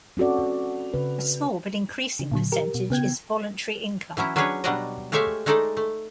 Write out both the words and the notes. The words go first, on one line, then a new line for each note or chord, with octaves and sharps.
A small but increasing percentage is voluntary income.
C4 C#4 F#4 A4 D5
C#3 B4
C#3
A#2 D3 F#3
G4 A#4
B2
C#3 B3 G5 G#6
E3 F#3 C#4 E4
F#3 C#4 D4 G#4 B4 C#5
B2 F#3 G3 D4 D5 D#5
G#3 A3 G4 C#5 E5 F5
G#3 A3 D#4 A4 D5 D#5
A3